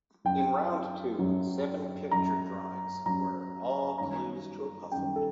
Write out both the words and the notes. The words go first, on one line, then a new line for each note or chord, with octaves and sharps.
In round two, seven picture drawings were all clues to a puzzle.
F#2 F#3 G5
F#2 F#3
F#2 F#3 A#5
F#2 F#3 A#5
F#2 D#3 G3 A#5
F#2 D#3 G3 G5
A4